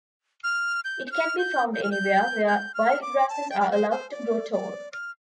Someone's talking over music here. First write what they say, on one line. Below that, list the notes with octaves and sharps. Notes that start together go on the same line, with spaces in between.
It can be found anywhere where wild grasses are allowed to grow tall.
F6
G6
G6
F6
G6
G6
F6
G6
G6
F6
D6
A5
G5
D5
C5
C5
D5
D5
F6